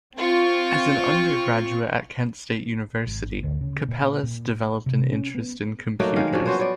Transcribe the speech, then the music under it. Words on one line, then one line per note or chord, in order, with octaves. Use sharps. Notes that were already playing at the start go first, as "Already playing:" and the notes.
As an undergraduate at Kent State University, Capellas developed an interest in computers.
C4 F4 C#6
G#1
D2
C#3
A#2
A#2
C3
C#4
B3
F#3 A3 A#3 D#4
D#3 G#3 F5
F3 F#3 C#4 D4
B3 F#4 C5 C#5
C#5 D5